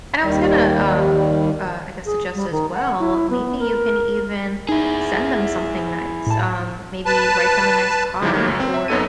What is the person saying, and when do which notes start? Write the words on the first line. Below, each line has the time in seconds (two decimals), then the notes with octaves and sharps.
and I was gonna, um, uh, I guess, suggest as well, maybe you can even send them something nice. Um, maybe write them a nice card or
0.23 D#2 D#3 G3
2.06 G#4
2.35 G3
2.51 D#3
2.74 F#5
2.99 E4
3.30 B3
3.60 A#4
4.69 D#4 E4 G#4
6.27 A2 A5
7.06 B4 A5
8.21 C#3 F3 G3 D#4 E4 G4
8.33 D#3 G3 A3 A#3
8.46 C#2 F#2
8.60 C4
8.74 E5
8.88 F#2 B3 D#4 A4 C#5 D#7